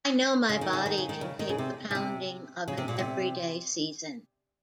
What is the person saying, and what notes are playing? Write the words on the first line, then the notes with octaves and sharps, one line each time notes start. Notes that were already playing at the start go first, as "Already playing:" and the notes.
I know my body can take the pounding of an everyday season.
C#3
D#3
C#3
D#3
C#3
D#3
C#3
D#3
C#3
C3
C#3
C3
C#3
C3
A#2
C3